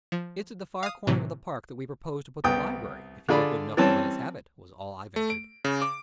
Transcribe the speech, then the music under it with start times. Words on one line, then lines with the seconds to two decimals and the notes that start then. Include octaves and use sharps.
"It's at the far corner of the park that we propose to put the library if you are good enough to let us have it," was all I ventured.
0.12 F3
0.83 F5 D#6
1.07 A2 C3 E3 F#3
2.44 C2 B3 G5 D#6
3.29 D3 F4 G#4 D5 B5
3.77 E3 G3 C4 C#4 A5
5.16 A3
5.30 D7
5.65 C#3
5.82 D6